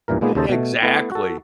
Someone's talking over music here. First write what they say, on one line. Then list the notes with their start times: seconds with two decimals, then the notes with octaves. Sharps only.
Yeah, exactly.
0.08 B1 G2 A#2 E3 A#4
0.21 A#2 G#3 A#3 B3 D#4 G#4
0.35 D#2 C#3 A4 C5 D#5 A5
0.49 B2 A3
0.82 A3 B3 E4
1.12 F#4 A4